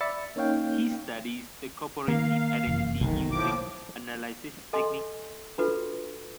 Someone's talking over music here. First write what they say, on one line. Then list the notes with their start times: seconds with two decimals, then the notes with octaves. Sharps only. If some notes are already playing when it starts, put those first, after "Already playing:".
He studies the corporative identity using analysis techniques.
0.01 D5 E5 B5 E6 A6 C#7
0.36 A#3 C#4 D#4 C#5 F5 G5
2.08 D#3 A#3 F5
2.67 F1 F#2 E3
3.01 B1 D#3
3.32 A2 F3 D6
4.73 A4 D#5 G#5 C6
5.58 D4 F4 F#4 A4 B4